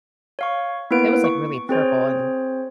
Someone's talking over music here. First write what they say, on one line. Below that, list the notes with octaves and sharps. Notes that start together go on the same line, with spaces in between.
it was like really purple and
C#5 F5 C#6
A#3 B3 E4 B4 D7
C#6
C4 G#4 C5 C#5